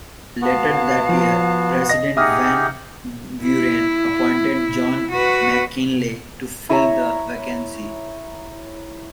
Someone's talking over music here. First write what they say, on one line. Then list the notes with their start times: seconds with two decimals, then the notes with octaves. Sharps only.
Later that year, President Van Buren appointed John McKinley to fill the vacancy.
0.42 B3 F#4 F5 A5
1.09 F3
1.89 D#5 A#6
2.17 D#4 G4 G#4 E5 F#5 D#6 F6
3.43 E4
5.12 F#4 B4
6.69 E4 C#5 A#5